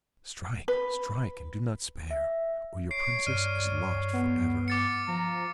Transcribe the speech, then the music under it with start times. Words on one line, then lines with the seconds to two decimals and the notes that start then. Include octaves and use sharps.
"Strike! strike! and do not spare, or your Princess is lost for ever!"
0.68 B4
2.11 E5
2.91 C#5 C7 D7
3.27 G2 D5 F6 D#7
4.13 B3
4.68 D6 A6 C#7
5.08 F3 A#5